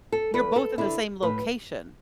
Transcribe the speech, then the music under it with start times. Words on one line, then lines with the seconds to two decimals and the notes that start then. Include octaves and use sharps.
You're both in the same location.
0.12 A4
0.34 E2 B4
0.56 A4
0.78 D3 E4
1.22 A2 B4